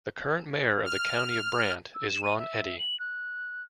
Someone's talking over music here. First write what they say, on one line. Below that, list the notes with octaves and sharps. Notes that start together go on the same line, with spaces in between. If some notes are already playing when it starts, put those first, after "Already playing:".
The current mayor of the County of Brant is Ron Eddy.
F6
E6
E7
D#7
E5
F#7
F#6